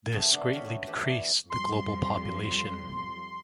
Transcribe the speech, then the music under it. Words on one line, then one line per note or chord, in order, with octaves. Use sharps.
This greatly decreased the global population.
C3 E3 F#4 G#4 A4 B4
B2 D3 A3 D4
C#3 G3 C#4 F#4 C#5 B5
A3 B3
E3 A3 G4 B4 E5
E2 B2 F#3 A3 E4 D5
F2 F3 G3 C6